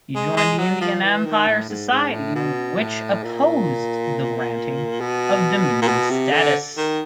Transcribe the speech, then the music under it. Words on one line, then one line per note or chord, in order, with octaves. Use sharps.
He joined the Indian Empire Society which opposed the granting of Dominion status.
G#3
G#3
F#3
F3
E3
D#3
A2
G#2
G#2
A2
B2
A2
A#2
B2
A#2
B2
C3
D3
D#3